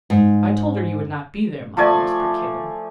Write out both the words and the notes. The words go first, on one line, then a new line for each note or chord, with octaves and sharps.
"I told her you would not be there, mum," whispered Caleb.
G#2
F3 A3 D5 G#5